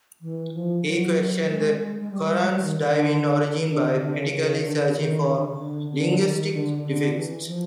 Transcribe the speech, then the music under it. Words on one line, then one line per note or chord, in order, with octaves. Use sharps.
He questioned the Qur'an's divine origin by critically searching for linguistic defects.
E3
F3
F#3
G#3
G#3
G#3
G3
G3
G#3
G3
D#3
D3
D3
D3
C#3
C#3
D3
D3
D#3
D#3
D3
C#3
D3
D3
D#3
D3
D3
E3
F3